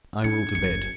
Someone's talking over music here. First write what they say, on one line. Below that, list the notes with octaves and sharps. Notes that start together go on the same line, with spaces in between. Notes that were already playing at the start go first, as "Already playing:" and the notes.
I will to bed.
D4 G#6 C#7
F#1 C#7